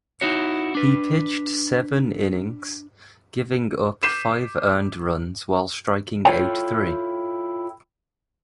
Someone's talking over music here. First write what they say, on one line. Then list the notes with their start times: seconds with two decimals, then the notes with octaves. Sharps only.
He pitched seven innings, giving up five earned runs while striking out three.
0.21 D#4 E4 F#4 C#5
0.75 D4 B4
4.03 D6 G6 B6 C7 D#7 E7
6.25 E4 F4 A4 C#5 G5